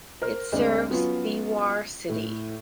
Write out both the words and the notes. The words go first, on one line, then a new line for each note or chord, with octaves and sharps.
It serves Beawar city.
A#4 C5 F6
D2 G#3 C4 D5
F#3 B3 C#4 F4
A2